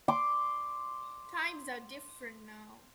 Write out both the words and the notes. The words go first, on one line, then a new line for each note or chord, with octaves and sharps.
Times are different now.
C6 D6